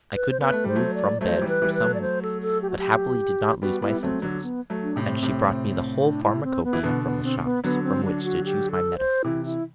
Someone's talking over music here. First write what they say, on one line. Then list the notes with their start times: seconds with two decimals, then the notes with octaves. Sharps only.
I could not move from bed for some weeks, but happily did not lose my senses, and she brought me the whole pharmacopoeia from the shops, from which to choose my medicines.
0.14 B4
0.30 C5
0.41 B3 B4
0.52 A3
0.64 G3 C5
0.75 F#3 A3
0.94 D5
1.21 F#3 A3 C5
1.37 F#3
1.41 E3 G3
1.48 B4
1.62 E3 G3
1.74 B4
1.81 F#3 A3
1.94 D5
2.01 C5
2.22 A4
2.42 A4
2.62 G4
2.70 F#4
2.78 G4
3.62 G3 B3 F#4
3.82 G3 B3 E4
4.02 F#3 A3 C4
4.22 D3 F#3 D4
4.43 B3
4.70 F#3 A3
4.83 D4
4.96 A2 C3
5.03 C4
5.23 A2 C3
6.03 D4
6.24 E4
6.44 C4
6.64 B3
6.73 E3
6.83 B2 D3 B3
7.04 B3
7.24 C4
7.40 C4
7.44 B3
7.64 D3 F#3 B3
7.84 C4
8.04 D4
8.24 F#4
8.44 G4
8.71 A4
8.98 C5
9.24 C3 E3 E4
9.45 E4